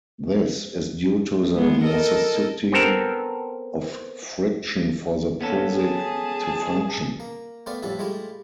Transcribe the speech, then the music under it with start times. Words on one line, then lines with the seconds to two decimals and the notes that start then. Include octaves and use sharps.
This is due to the necessity of friction for the Prusik to function.
1.53 G#3 B3 G#4
1.84 A4 A#4 D#5
2.72 B3 C4 A4 A#4
5.41 A#3 B3 C#4 A4
5.74 G#4 A5
7.20 A#3
7.66 A3 B3 C5 D5 F5 G5
7.83 A1 F2 A2 G3 A4 E5
7.99 G#3 A3 E4 F4 G4